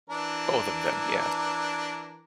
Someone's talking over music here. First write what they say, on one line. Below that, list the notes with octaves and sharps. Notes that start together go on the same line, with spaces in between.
Both of them. Yes.
E3 D4 A#4